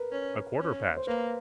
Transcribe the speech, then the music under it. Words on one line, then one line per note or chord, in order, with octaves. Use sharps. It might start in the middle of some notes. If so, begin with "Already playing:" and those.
A quarter past.
Already playing: A#4 B4
C#4
C#4
C5
A#3 B4